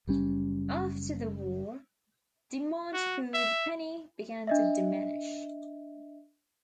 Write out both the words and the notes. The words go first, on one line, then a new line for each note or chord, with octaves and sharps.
After the war, demand for the penny began to diminish.
F#1 G3 C#4
F#4
E5
D4 D#5 E5